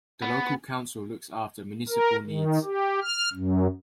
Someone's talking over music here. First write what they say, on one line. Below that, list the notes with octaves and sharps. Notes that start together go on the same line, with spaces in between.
The local council looks after municipal needs.
B3
A#4
D#3
G4
F6
F#2